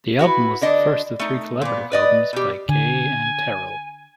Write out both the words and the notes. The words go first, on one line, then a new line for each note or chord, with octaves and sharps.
The album was the first of three collaborative albums by Gaye and Terrell.
E4 F#4 A#4 B4
D3 D4 D#5
A3 D#4
A#2 B3
B4 D5 D#5
B2 G4
D3 G#5